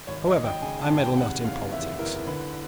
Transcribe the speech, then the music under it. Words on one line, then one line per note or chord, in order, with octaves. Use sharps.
However, I meddle not in politics.
G#1 C#5
D#5
G#1
G5
C#3 G#5
A5
G#1
G5
C3 F#5
F#1 F5
E2 E5
E3 A#4
D3 B4